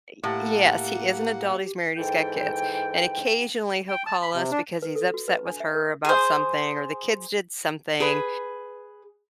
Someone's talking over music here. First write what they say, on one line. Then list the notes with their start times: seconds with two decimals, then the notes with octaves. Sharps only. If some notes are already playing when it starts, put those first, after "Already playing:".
Y yes, he is an adult, he's married, he's got kids, and occasionally he'll call us because he's upset with her about something or the kids did something,
0.23 A2 A#3 G4 F#5
1.97 G#2 E3 A4 G5
3.89 G5
4.06 A5
4.22 B5
4.35 C3
4.51 D4
4.82 B4
4.95 A4
5.14 F#4
5.28 B4
5.46 D4
5.60 E5
5.75 A#4
6.05 G#4 C5
8.00 G#4 B4